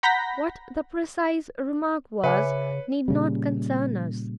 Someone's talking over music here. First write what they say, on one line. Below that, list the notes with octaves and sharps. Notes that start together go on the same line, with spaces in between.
What the precise remark was need not concern us.
F#5 A#5 B5 G6 A#6 B6
C#3 B4 C#5 E5 G#5 D6 C#7
A#2 C#3 G3